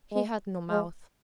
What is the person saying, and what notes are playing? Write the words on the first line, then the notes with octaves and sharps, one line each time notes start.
He had no mouth.
G#3
G#3